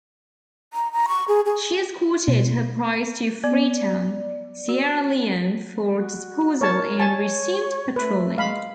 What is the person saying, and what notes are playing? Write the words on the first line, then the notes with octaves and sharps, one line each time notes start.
She escorted her prize to Freetown, Sierra Leone for disposal and resumed patrolling.
A#5
A#5
C#6
G#4
G#4
B2
B3 D5
F#4
F#4
A#4 C#5 A5
C#5 G#5 A5
A3 B4
G#3 F5 B5